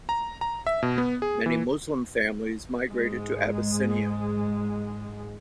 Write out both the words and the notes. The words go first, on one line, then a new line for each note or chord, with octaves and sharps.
Many Muslim families migrated to Abyssinia.
A#5
A#5
E5
B2
B3
G#4
E3
G#2 G#3